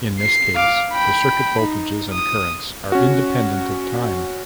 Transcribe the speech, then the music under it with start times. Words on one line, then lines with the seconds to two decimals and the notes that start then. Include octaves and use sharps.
In this case, the circuit voltages and currents are independent of time.
0.20 C7
0.56 F5 D6
0.92 G5 B5
1.61 D#4
2.13 D#6
2.92 C#4 F#4